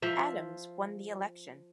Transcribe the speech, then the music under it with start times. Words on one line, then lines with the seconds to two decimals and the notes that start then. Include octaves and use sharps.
Adams won the election.
0.02 F3 E5